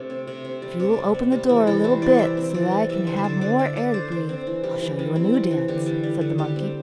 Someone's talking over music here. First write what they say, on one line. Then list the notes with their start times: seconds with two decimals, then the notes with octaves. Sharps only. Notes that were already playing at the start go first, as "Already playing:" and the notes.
"If you will open the door a little bit so that I can have more air to breathe I'll show you a new dance," said the monkey.
Already playing: C3 A3 D4
0.10 C4
0.27 C3
0.45 C4
0.62 G3
0.79 C3 D5
0.97 G3
1.14 C4
1.32 G3
1.49 E3 E4
1.67 E3 A4
1.84 G3 C5
2.02 E3 D5
2.19 E3 E5
2.37 C4
2.54 E3 D5
2.72 G3
2.89 G3 E5
3.07 D3 C5
3.16 E5
3.24 D3 D5
3.41 D3 D5
3.59 D4 E5
3.76 D3 D5
3.94 D3 C5
4.11 D4 C5
4.29 C4
4.47 E3
4.64 G3
4.81 E3
4.99 G3
5.16 C4
5.34 G3
5.51 E3
5.68 D3 G4
5.86 G3
6.03 G3
6.21 D3
6.38 G3 G4
6.56 C4